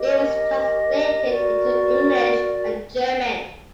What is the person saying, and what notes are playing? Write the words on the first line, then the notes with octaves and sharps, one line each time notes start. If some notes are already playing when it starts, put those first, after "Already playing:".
It was translated into English and German.
Already playing: G4 A#4 D#5
F#4 A#4 D5